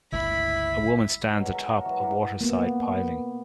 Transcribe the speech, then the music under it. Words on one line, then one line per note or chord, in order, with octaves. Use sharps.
A woman stands atop a waterside piling.
G1 C#2 G2 A3 E4 B5
B2 F#3 G#3
F#4 A4 A#4 E5
F#4
E3 F#3 G#3
A#4 D5 B5 C6
A#3 B3